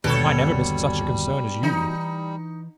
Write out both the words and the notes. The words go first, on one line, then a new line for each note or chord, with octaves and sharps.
"I never missed such a concern as you."
G1 D#2 B2 G3 D4 A4 C#5
E3 D#4